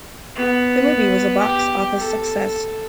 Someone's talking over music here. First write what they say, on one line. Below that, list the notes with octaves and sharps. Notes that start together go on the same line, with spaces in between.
The movie was a box office success.
B3
G4
A4